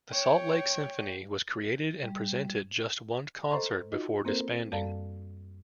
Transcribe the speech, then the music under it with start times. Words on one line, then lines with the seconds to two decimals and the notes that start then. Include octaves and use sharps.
The Salt Lake Symphony was created and presented just one concert before disbanding.
0.12 C#5 G5
2.03 G3
3.51 A4 C5 D#5 A#5 C6 C#6
3.92 D#4 F4 F#4 D#5
4.25 A#3 C4 A4 A#4 C5
4.72 F#2 G3 A4 D5 F5 A5